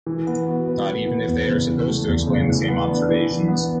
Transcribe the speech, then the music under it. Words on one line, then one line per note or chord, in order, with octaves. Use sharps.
Not even if they are supposed to explain the same observations.
E3
B3
F#4
B4
E3
B3
E2
C#3
E3
A3
E2
C#3
E3
B3
D4
E3
E3
B3